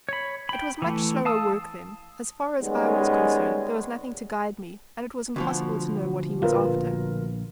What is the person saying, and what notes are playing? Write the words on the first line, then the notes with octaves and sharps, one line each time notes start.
It was much slower work then; as far as I was concerned, there was nothing to guide me, and it was impossible to know what he was after.
C#5 B5
G5 B5
E3 A3
F5 A5 D#6 E6
D#3 G3 G#3 B3 C#4
D2 B2 F3
A#1 F4 A#4 B4